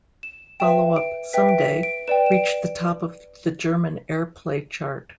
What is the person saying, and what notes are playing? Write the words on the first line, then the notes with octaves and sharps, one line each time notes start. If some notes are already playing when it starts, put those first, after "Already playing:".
Follow-up "Someday" reached the top of the German Airplay Chart.
E7
B4 E5 G5 E7
D7
B4 E5 G5 B6
D7
B6
D7
B4 D5 G5 E7
E7
D7